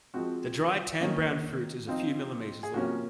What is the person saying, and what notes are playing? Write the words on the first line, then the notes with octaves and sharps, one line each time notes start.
The dry tan-brown fruit is a few millimeters long.
F3 G#3 C4 F#4
D#3 A#3 C#4
F3 C4 D#4 F4
G#4
C3 F3 A#3 C#4 F#4